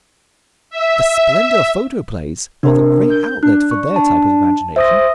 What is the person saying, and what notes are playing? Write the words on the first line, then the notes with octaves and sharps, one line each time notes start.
The Splendor Photoplays are the great outlet for their type of imagination.
E5
C3 D4 A#4
G6
D4 F#6
C#6
A5
C5 E5 D#6 A#6